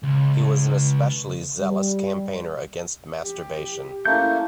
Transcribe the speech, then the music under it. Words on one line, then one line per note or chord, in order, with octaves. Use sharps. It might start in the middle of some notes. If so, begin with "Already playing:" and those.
He was an especially zealous campaigner against masturbation.
C#2
G3
G4
A3 A#3 C#4 E4 G6